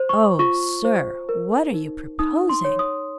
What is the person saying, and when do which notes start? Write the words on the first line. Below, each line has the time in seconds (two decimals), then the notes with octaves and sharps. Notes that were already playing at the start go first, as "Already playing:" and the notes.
"Oh, sir, what are you proposing?"
Already playing: C5
0.09 C#6
0.39 F4 C#6
0.85 C5
1.29 A#4
1.74 D#4
2.19 D#4 D#6
2.49 C6
2.65 C#5
2.79 D#6